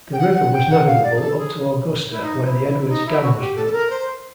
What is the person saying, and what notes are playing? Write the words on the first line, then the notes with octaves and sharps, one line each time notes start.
The river was navigable up to Augusta where the Edwards Dam was built.
G5
F#5
F#5
G5
F#5
F5
D5
G#4
A4
G#4
E4
D#4
E4
E4
E4
D#4
E4
F#4
G4
A4
A4
A#4
C5